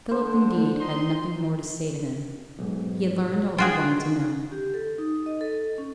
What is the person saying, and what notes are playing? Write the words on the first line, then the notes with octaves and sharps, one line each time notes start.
Philip, indeed, had nothing more to say to him: he had learned all he wanted to know.
D3 C5
D#4 C6
B1 G#2
F4 F#4 G#4 G5
G4
A4
D#4
D#5
A4
C#4